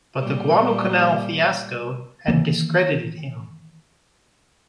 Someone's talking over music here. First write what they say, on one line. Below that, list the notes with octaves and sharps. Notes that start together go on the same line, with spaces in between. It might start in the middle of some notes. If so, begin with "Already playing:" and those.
But the Guadalcanal fiasco had discredited him.
A#2 G3
D#3 E3 A#3